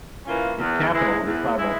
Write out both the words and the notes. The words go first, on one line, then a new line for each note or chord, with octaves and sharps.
Its capital is Sibut.
E3 A#3 C#4 F4
E2
E3 G#3 E4
E2
E3 G#3 E4